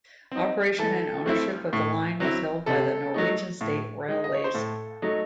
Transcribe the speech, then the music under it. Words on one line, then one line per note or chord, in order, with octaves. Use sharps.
Operation and ownership of the line was held by the Norwegian State Railways.
C4 D#4
E3 A4
A3 C4 E4
A2
F#3 C4 E4
C3 A4
F#3 A3 D#4
A2
G#3 D#4
D#5
C#5
C5
A2 A4
F#3 A3 D#4